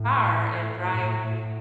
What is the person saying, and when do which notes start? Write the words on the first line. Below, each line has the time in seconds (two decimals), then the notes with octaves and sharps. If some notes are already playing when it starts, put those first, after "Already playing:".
car and drive
Already playing: A2
0.95 A2